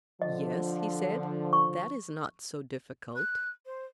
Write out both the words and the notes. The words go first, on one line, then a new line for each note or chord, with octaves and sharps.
Yes, he said; that is not so difficult.
D3 F3 D#5
C#6
F#6
C5